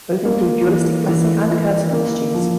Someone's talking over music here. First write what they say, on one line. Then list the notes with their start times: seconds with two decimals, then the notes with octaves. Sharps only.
Both include dualistic blessing and cursing liturgies.
0.25 A#3
0.67 E3
1.08 E3
1.51 E4
1.93 A#3
2.34 F3